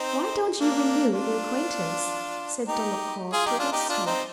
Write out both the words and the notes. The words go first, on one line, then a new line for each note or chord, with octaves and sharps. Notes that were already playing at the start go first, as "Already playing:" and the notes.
"Why don't you renew the acquaintance?" said Dolokhov to Rostov.
Already playing: C4 D#4
A#3 D4
D4 F4
D#4 G4
F4 G#4
D#4 G4
D4 F4
D#4 G4
D4 F4
C4 D#4